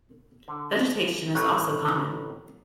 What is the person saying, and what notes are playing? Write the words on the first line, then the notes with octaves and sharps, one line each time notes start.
Vegetation is also common.
D3
A1 D#3 E3 A#5 C#6 F#6